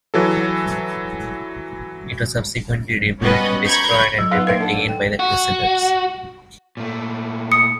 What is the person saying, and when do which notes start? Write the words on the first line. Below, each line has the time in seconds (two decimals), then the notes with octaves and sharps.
It was subsequently rebuilt, destroyed, and rebuilt again by the Crusaders.
0.14 E3 F#3 A4
3.20 G3 B3 C#4 F#4 B4 D#5
3.64 A#5 B5 C#6 G6 G#6
4.19 F#3
4.31 F#3 B3 D#4 F4
4.47 A#2 C4 B4 E5 F5 C7
4.61 D3 A4
4.88 G5
5.20 F#4
6.77 A#2 A3
7.52 D#6 C#7